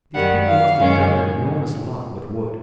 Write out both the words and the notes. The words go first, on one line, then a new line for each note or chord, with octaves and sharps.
These people must have done an enormous lot with wood.
F#2 D#3 G3 F#5
F5
F#2 D#3 G#3 C#4